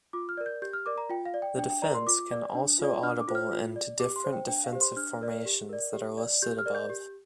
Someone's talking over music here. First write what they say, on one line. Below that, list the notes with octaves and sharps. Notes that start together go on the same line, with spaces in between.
The defense can also audible into different defensive formations that are listed above.
F4 D6
F6
A#4 D5
G6
G4 G6
F6
A#4 D5 D6
A#5
F4 G5
F5
D5
G5
D4 G5
G5
A#4 D5 A#5
C6
F4 D6
D5
D4
F4 D5
D4 F6
D6
F4 C5
F6
F4
D5
G4 D6
C6
C5
G5
D4 G5
F5
G4 C5
C6
D4 F6
A#4 D5
G4
A#4 D5
G4
D5
G4 G6
F6
A#4 D5
G6
G4